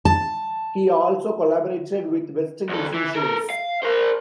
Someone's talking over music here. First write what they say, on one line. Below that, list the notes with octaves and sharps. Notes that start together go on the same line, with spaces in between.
He also collaborated with Western musicians.
A5
E2 A4
E3
A4 A#4
F5
A#4 C5